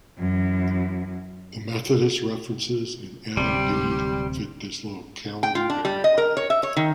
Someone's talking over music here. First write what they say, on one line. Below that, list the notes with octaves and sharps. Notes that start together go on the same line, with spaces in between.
The Methodist references in "Adam Bede" fit this locality very well.
F#2 E3
D1 C3 G3 G4 C6
G5
F4
D4
G3
D#5
A#4
C#5
E5
C#5
D#3